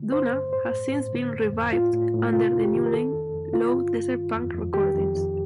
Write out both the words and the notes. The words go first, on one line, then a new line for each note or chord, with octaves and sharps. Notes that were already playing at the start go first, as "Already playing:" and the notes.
Duna has since been revived under the new name "Low Desert Punk Recordings".
Already playing: D3
G2 C5
G2
A2 C5
A2
A2
D3
F2
F2
A2 F4
A2
A2
C3 F4
F2
G4
D#3
A#4
D#3 A4
F2
F2
D3 F4
G2
G2
D#3
F2
F2
D#3 G4
F2
F2